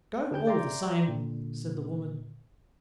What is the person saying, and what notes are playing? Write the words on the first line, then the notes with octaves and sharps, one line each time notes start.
"Go, all the same," said the woman.
D3 G#4 G5 G6
D5 E5 G5 A#5 C6
A#2 D3